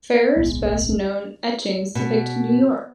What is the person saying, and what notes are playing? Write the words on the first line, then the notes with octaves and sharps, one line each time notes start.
Farrer's best known etchings depict New York.
D1 B1 G#3 B3
B2